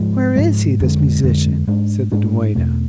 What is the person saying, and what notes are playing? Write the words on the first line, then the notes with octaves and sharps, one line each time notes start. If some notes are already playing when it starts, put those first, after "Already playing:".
"Where is he, this musician?" said the duena.
Already playing: G#2 F3 G#3
G#2 F3 G#3
F2 D3 G#3
F2 D3 G#3
G#2 G#3 D4
G#2 G#3 D4
E2 B2 A3